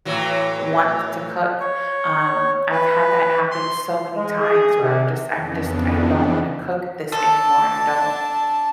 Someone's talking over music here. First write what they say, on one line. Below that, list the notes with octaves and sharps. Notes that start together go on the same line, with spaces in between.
want t to cook, um, I've had that happen so many times where I'm just I'm just I don't wanna cook this anymore, I don't
A2 E3 F#3
C#5
B4
C6
G#3
G#4
C3
F2 C#3 E3 B3 D4
D4 A4 A5